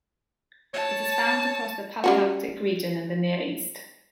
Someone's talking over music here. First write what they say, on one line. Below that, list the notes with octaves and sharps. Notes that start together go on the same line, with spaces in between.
It is found across the Palearctic region and the Near East.
C#5 A5
G3 C#4 F#4